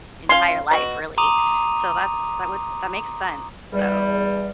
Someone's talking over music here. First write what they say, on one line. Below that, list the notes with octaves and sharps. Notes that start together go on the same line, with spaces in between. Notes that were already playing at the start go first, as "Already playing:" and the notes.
entire life, really, so that's that would that makes sense. So,
C#4 F4 F5 C6
B2 F#4
A#5 C6 D6 D#6 D#7 F7
E2 G3